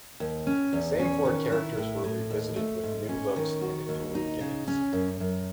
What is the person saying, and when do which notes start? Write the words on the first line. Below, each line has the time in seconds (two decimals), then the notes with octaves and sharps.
The same four characters were revisited with new looks and a few new gimmicks.
0.20 D#2
0.47 C#4
0.73 E2
0.99 C#4
1.25 D#3
1.52 E4
1.78 A2
2.04 A2
2.31 D#2
2.56 A3
2.83 G#2
3.09 C#4
3.36 D#3
3.61 F#4
3.89 D#2
4.15 D#4
4.40 C#3
4.68 C#4
4.93 F#2
5.20 F#2